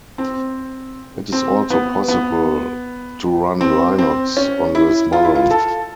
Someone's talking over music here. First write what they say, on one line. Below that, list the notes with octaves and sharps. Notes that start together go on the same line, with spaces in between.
It is also possible to run Linux on this model.
C4
C4
B3
B3
C4
C4
C#4
E4
F4
E4
F4
A4